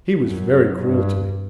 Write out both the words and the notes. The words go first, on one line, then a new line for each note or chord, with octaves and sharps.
He was very cruel to me.
F#2
G2